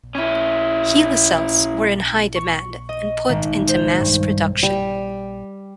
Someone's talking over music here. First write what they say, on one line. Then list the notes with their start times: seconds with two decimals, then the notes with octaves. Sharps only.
HeLa cells were in high demand and put into mass production.
0.15 C#4 E4
2.35 C#6
2.89 D#5
3.29 G#1
3.69 C5
4.00 G2
4.63 G3